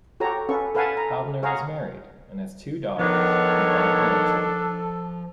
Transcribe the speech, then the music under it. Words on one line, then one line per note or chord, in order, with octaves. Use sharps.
Haubner is married and has two daughters and five grandchildren.
F#4 G4 A4 C#5 A#5
C#4 A4 B4 C#6
A4 B4 F5 F#5 G#5 A5
A#5
G#4 C#5 F5 F#5 A#5
D#3 F3 B3 D4 A4 C#5